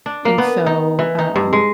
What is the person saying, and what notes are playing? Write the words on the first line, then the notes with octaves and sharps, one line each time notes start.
and so, um,
D4
A#3
B3
D#4
E3
D#4
G2
G#3